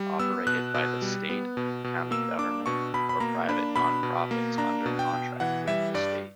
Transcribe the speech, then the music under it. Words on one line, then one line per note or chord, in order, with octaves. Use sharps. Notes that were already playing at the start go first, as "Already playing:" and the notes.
Operated by the state, county government or private nonprofits under contract with the state.
Already playing: G3
B3 E6
B2 F#6
B2
G3
B3
B2
B2
A#3 E6
D4 D6
B2 C#6
B2 B5
B5
A#3 A#5
D4 B5
B2 B5
B2
A#3
D4 A#5
B2
G5
B2
E3 F#5
G3 E5
G2 D5